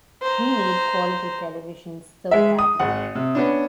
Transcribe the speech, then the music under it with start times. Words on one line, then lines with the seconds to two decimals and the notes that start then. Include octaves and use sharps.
We need quality television so badly.
0.22 C5 A#5
2.31 G#3 E5
2.59 D#6
2.79 G#1 F#5
3.15 C3
3.35 B3 C#4 D4